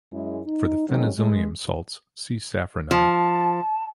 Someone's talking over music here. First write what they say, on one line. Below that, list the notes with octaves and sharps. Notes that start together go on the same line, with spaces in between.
For the phenazonium salts, see safranine.
F#2 G#3 E4
D#4
D#3 F#3 G#3 C4 C#4 D#4
G2 G#3
F3 A5